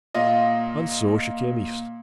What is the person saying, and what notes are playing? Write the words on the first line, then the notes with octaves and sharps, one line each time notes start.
And so she came east.
A#2 F4 D#5